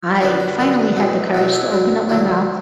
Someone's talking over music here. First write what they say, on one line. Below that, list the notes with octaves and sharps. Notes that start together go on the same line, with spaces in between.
I finally had the courage to open up my mouth,
F#2 D3 B3 D4 E4
F#4
F#2 D3 B3 D4 A4
E2 B2 F#3 A3
E2 B2 F#3 A3 F#4
E4
D2 D3 F#3
D2 D3 F#3 E4